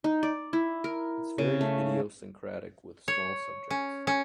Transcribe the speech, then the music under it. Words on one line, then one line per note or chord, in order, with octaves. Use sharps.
It's very idiosyncratic, with small subjects.
D#4
D5
E4
A#4
C#3
A3
C#5
C#4
C#4